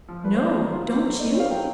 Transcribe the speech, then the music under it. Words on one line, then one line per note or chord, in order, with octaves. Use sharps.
"No. Don't you?"
F3
D4 B4
C5
F4
F#3
F4
F#3 C5
A3
D#4 D5
C#5
C4 F5
F#3 G5